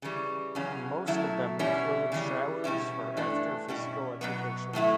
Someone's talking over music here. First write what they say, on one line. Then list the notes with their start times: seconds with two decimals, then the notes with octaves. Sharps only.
Most of them include showers for after Physical Education.
0.02 C#3 E3 G3
0.55 E2 C#3 F#3 C#4
1.07 C#3 F#3 A3 E4
1.59 E2 B2 G3 C#4 E4
2.12 C#3 E3 G3
2.64 B2 G3 C#4 E4
3.17 G2 E3 A3 D4
3.68 B2 G3 C#4 E4
4.21 B2 F#3 B3
4.73 A2 F#3 A3 E4